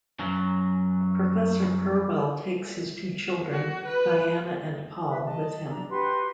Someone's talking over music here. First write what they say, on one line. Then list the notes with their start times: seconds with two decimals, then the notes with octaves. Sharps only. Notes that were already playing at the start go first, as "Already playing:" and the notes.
Professor Purwell takes his two children, Diana and Paul, with him.
0.20 F#2 F#3
3.52 F#4
3.85 B4
5.07 B4
5.25 D#5 A5
5.70 D4 A#5
5.89 F#4 G4 B4 C6